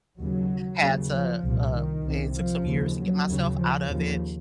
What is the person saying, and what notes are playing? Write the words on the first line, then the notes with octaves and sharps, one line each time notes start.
had to, uh it took some years to get myself out of it,
D#2 C#3 F#3
D#2 C#3
F3
C2 A#2
D#3
C2 C3
F3
D#2 C#3
F#3
D#2 C#3
F3
D#2 C#3 F3